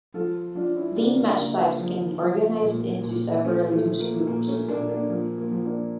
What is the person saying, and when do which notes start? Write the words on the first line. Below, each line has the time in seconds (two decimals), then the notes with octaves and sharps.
These match types can be organized into several loose groups.
0.14 F3 F4 A4
0.55 F3 D4 F4
0.76 C#4 E4
0.96 C#3 A#3 D4
1.17 A#3 D4
1.38 C#3 A#3
1.58 A#3
1.79 F3
2.21 F3
2.62 A#2
3.03 A#2
3.44 F3 A3 C#4
3.72 A3
3.86 F3
4.00 A#3
4.27 A#2 A#3
4.48 A3 C#4
4.68 A#2 A#3 D4
4.89 A#3 D4
5.10 F3 A#3
5.38 A#3
5.51 F3
5.65 A#3 D4